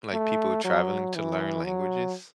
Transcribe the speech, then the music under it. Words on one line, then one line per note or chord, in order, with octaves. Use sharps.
Like, people traveling to learn languages.
A3
F#3
E3
F#3